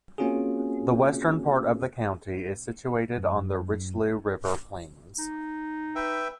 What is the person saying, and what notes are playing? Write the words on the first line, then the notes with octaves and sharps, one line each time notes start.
The western part of the county is situated on the Richelieu River plains.
A#3 C4 C#4 F4 F#4 G#4
F#2
D#4
B4 E5 G5